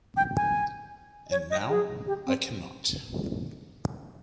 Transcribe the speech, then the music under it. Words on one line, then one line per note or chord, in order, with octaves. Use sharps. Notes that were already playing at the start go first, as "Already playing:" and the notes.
And now — I cannot.
G5
G#5
C#5
D#5
G#4
G4
C4